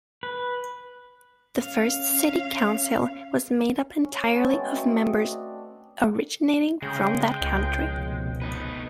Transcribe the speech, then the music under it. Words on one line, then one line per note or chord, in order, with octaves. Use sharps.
The first City Council was made up entirely of members originating from that country.
B4
C#4 F5
C#4
G#3 B3 C#4 A5
A3 C4 F#4
C4 D#5
D4
C#3 G#3 G5
C#2
F1 B2
B3 D#4 B4